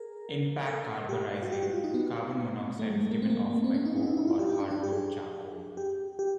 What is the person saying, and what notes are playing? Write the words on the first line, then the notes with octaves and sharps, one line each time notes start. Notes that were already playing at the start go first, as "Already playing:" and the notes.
In pack carburizing, carbon monoxide is given off by coke or hardwood charcoal.
Already playing: G#4 A#4
A4
G4
F#4
G4
F#4
F4
D#4
B3
A3
G#3
A3
A#3
C4
A#3
A3
A#3
C4
C#4
D#4
E4
D#4
E4
E4
F4
G4
G4
D4
D4
G4
G#4
G4
G4